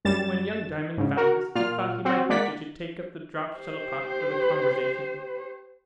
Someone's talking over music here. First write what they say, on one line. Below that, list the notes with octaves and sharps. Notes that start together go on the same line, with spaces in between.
When young Diamond found this, he thought he might venture to take up the dropt shuttlecock of the conversation.
F#2 G3 A6 E7
G#2 C#3
F#4 A#4
A#2 F4 F6
C4 F#4
G#3 A#3 D5 F#5 B6
G4 C5